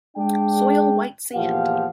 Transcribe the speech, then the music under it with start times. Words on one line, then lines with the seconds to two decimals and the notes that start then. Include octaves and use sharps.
Soil white sand.
0.17 G#3 D4 G5
1.35 E2 A#2 F3 G4 F5 F#5